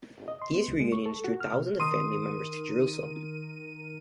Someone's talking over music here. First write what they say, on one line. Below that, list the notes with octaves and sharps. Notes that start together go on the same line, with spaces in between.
These reunions drew thousands of family members to Jerusalem.
D#5
C6
B3
C#2
G#3
C#6
A4
F#4
F6
B2
D#3 A#4 C6 D#6 D#7